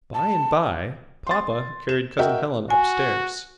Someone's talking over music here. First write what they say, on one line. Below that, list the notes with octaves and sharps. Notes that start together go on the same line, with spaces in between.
By and by, Papa carried Cousin Helen up stairs.
A5
C6 A6
E7
F#4 A#4 D#5 E5 G5
F#4 G#5